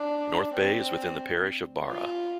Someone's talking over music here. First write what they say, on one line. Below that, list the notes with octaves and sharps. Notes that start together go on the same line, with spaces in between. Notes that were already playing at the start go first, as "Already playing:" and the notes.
Northbay is within the parish of Barra.
Already playing: D4
C4
F4